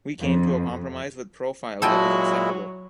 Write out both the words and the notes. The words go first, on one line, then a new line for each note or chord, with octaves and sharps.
We came to a compromise with Profile that was acceptable.
F2
A#2 F#3 G#3 E4 F#4 A4 G5 G#5